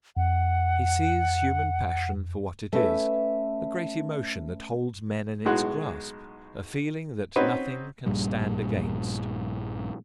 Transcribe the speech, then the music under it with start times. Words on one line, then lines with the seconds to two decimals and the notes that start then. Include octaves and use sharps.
He sees human passion for what it is, a great emotion that holds men in its grasp, a feeling that nothing can stand against.
0.17 F2 F#5
2.73 A3 C#4 B4 E5
5.45 B1 A2 G#3 F#4 F#6
7.36 C4 C#4 D#4 F#4 B4
8.06 A#1 G2 A#2 G3